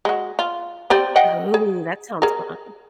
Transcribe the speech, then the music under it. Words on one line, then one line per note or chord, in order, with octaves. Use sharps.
Oh, that sounds fun.
G#3 F#4
F4
C4 G4 D5
D#5 F#5 G5
G#4
G#4 A#4